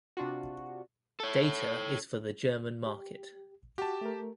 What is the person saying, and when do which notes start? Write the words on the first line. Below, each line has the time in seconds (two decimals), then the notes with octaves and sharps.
Data is for the German market.
0.17 C3 D4 F4 F#4
1.20 A4 C#5
2.86 G4
3.78 F#4 G4 A5
4.01 A3 A#4